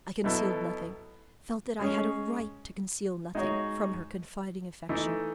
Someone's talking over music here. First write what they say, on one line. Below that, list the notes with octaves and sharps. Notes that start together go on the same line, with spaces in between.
I concealed nothing--felt that I had a right to conceal nothing--from her confiding affection.
B2 F#3 B3 E4 A4
G#3 C#4 G#4 C#5
G#3 D#4 F#4 C#5
E3 A3 D#4